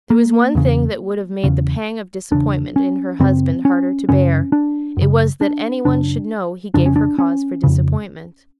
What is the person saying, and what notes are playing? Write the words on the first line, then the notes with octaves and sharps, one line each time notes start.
There was one thing that would have made the pang of disappointment in her husband harder to bear; it was, that any one should know he gave her cause for disappointment.
A#3
E2 C#3
E2 C#3
E2 C#3 D4
C#4
F#2 C#3 C4
C#4
F#2 C#3 C#4
D4
F#2 C#3
D4
F#2 C#3 D4
F2 C#3 D4
C#4
D4
C#4
F2 C#3